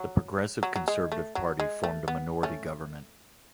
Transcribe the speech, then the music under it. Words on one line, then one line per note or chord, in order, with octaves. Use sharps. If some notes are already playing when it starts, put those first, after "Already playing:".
The Progressive Conservative Party formed a minority government.
Already playing: F#3
F#3
F#3
G#3
A3
F#3
G#3
A3
B3
A3 C#4